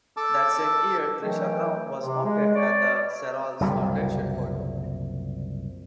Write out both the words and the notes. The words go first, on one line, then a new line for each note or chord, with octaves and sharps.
That same year, "Trisha Brown" was mounted at the Serralves Foundation, Porto.
A4 A5 D6 E6
D#3 E3 F#3 A3 G5
C3
G#3
C#5 D5
F#1 C2 A#2 G3